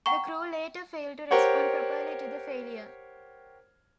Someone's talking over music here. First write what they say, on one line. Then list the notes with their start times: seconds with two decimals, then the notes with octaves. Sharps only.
The crew later failed to respond properly to the failure.
0.06 F#5 G5 A#5 C#6
1.31 G4 A#4 C5 C#5 F#5